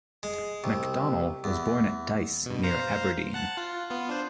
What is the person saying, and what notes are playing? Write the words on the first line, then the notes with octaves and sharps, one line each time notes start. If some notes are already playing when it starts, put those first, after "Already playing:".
Macdonell was born at Dyce near Aberdeen.
G#3
C2
E2
G2 B2
C5 F5 A#5
F#5 A5 F#6
F4
B3 F4
D4 C5